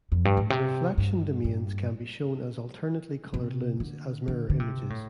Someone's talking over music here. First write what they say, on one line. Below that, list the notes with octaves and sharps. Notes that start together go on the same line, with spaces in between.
The reflection domains can be shown as alternately colored lunes as mirror images.
F2
G2
A2
C3
G2
G2
C3
D3
D3
D3
C3
A2